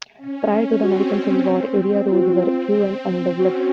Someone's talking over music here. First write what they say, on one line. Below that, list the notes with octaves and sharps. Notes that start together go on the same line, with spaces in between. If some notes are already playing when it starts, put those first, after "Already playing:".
Prior to the American Civil War, area roads were few and undeveloped.
C#4
C4 F#4
C4
F4
F#4
F4
C#4 F#4